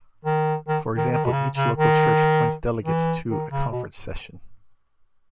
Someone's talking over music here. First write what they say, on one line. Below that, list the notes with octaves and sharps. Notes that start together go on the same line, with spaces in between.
For example, each local church appoints delegates to a conference session.
D#3
D#3
D#3
D#3
B2
C#3
C#3
D#3
E3
D#3
C#3
B2